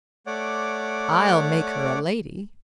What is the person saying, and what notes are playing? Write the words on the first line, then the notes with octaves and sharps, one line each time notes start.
"I'll make her a lady."
A3 C#5 D5 F#5 D6